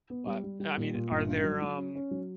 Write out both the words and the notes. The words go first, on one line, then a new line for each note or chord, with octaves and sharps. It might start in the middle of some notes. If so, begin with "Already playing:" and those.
but I mean, are there, um
B3
G3
G3
G3
A#2
A#2
G1
G2
F#3
F#3
C#4
C#4
F#3